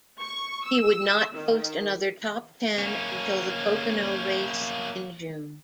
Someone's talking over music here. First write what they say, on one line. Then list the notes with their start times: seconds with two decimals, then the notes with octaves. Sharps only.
He would not post another top ten until the Pocono race in June.
0.20 C#6
0.64 E6
1.32 D#3
2.79 A#3 C#4